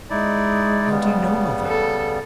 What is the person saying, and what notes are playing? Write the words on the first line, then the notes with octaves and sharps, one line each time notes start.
"How do you know, mother?"
G#3 D#4 E4 D5
C#3 G3 B3
A4